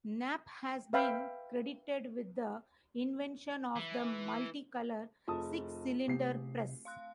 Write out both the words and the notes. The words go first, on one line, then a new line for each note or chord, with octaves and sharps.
Knapp has been credited with the invention of the multicolor six-cylinder press.
B4 E5 F5 G5 B5
E3
F1 F4 G#4 A5 D#6
C3 A3 C4 G4 C7
F5 C6 F#6